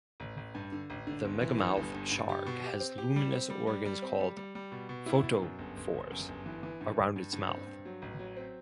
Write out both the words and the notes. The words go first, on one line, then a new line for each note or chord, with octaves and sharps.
The megamouth shark has luminous organs called photophores around its mouth.
A1
A1
G2
D3
A1
D3
G1
E3
G2
G1
G2
G2
G4
B2
G4
C4
G4
G3
C4
G3
G3
G3
C4
G3
G3
G3
B2
B2
E4
B2
F#2
G1
G1
G1
F#2
G1
E3
E3
G2
G2
G2
G2
C4
G2
F#3
A1
F#3
C4